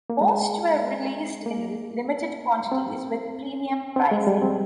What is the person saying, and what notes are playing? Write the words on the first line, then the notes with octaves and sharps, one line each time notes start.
Most were released in limited quantities with premium pricing.
A#3
G#3
A#3
C4
C4
G#3
G3
C4